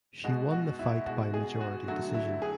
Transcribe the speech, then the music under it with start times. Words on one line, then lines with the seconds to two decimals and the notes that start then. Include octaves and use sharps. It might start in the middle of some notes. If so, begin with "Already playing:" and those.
She won the fight by majority decision.
0.24 B2 G#3 F#4
0.51 F#4
0.79 E4
1.06 B2 G#3 F#4
1.34 G#4
1.61 F#4
1.88 D3 F#3 A3 F#4
2.14 E4
2.42 G#4